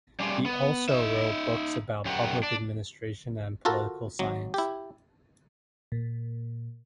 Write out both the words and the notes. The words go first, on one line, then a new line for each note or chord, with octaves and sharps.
He also wrote books about public administration and political science.
G3 C#4 D4 F4 G4 G#4
B3
D#4 E5
F#2 G4 A#4 F#5
D4
F4 F#4 A4 A#4
G#1 F#3
E4 G4
A#2